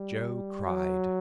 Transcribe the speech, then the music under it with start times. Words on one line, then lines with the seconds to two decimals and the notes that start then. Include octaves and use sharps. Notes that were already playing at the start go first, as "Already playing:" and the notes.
Joe cried.
Already playing: G3
0.66 F#3